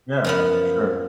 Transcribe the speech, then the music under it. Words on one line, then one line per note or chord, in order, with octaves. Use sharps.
Yeah, for sure.
F#2 F3 B3